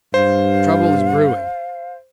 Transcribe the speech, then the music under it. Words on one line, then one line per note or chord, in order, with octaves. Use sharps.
Trouble is brewing.
G2 C5 F5